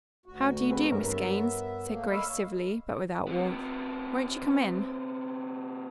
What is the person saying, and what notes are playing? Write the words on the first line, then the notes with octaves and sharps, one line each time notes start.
"How do you do, Miss Gaines," said Grace civilly, but without warmth. "Won't you come in?"
D2 F#4
C4 G#4 B4
G2 B3 A#4 C#5 E5
A3 A#3
C#5 D#5 F5 B5 E6
C3 B3